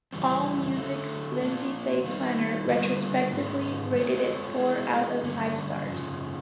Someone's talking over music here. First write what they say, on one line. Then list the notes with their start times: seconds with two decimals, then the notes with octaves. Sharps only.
Allmusic's Lindsay Planer retrospectively rated it four out of five stars.
0.13 F2 C#3 E3 G3 C4
0.77 D3 F#3 A3
1.41 A#2 F3 A#3 D4
2.05 D#3 G3 A#3
2.68 D3 G3 A#3 D4 F4
3.32 G#2 D#3 G#3 B3
3.96 G#3 C4 F4 A4 C#5
4.60 G#3 B3 E4 G#4
5.23 G2 D3 F#3 A#3 C#4
5.87 F#2 C#3 F3